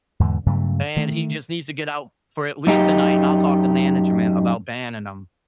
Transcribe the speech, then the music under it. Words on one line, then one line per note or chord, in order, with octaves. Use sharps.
and he just needs to get out for at least tonight, and I'll talk to management about banning him."
E2 G#2 D3
G2 C#3 F#3 A3
D#3 A3
F#2 D#4 G4